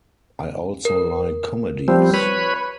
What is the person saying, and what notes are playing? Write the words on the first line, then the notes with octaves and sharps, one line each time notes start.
I also like comedies.
A#4
F3 G3 C4
B4 C#5 B5